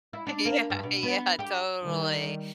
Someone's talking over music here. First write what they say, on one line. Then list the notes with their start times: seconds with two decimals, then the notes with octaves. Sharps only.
Yeah, yeah, totally.
0.13 E4
0.27 D4
0.45 A#3
0.70 G2
0.83 B2
1.03 B3
1.39 G4
1.82 D#3 G3